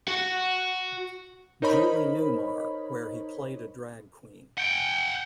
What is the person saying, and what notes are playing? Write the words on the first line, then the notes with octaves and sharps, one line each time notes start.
Julie Newmar where he played a drag queen.
F#4 F#5
D#4 A#4 C5 C#5 D#5 B5
F#5 G5